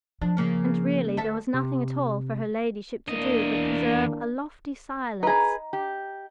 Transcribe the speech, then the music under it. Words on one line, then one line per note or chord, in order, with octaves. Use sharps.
And really there was nothing at all for her ladyship to do but preserve a lofty silence.
F3 D4
C#3 A#3 C#4
D2 A4 E5
C3
E2 E3 A#3 D4 D#5
D#4 G#4 B4 A#5
G4